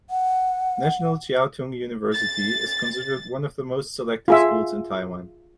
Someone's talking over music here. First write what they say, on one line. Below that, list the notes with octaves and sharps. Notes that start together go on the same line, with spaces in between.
National Chiao Tung University is considered one of the most selective schools in Taiwan.
F#5
A6
F4 G#4 E5